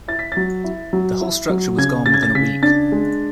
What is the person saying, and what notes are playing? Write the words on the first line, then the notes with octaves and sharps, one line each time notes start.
The whole structure was gone within a week.
E4 A6
B6
F#3 A6
E4
F#3
E4
F#3
C#3 G#6
C#3 A6
G#6
A6
C#3 B6
D4 A6
G#3